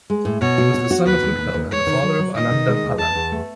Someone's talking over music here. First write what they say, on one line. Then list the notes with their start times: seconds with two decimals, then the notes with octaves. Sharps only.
He was the son of Hutpal and the father of Anandapala.
0.10 G#3
0.25 A2
0.42 B2 C#5
0.58 F#4
0.74 F#4
0.91 F#4
1.06 D#2 B4
1.22 D#2
1.39 D#2
1.54 D#2
1.71 E2 C#5
1.87 D#3
2.02 F#3
2.19 F#3
2.34 D#3 D#5
2.51 D#3
2.67 G#3
2.84 D#2
2.99 E2 A5
3.15 E2
3.32 A3